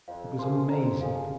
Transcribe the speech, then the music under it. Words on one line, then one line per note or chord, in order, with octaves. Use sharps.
It was amazing.
F2 F5
C3 F3 A#3 G#4 C6
F2 A#5
C3 F3 A#3 G#4 F5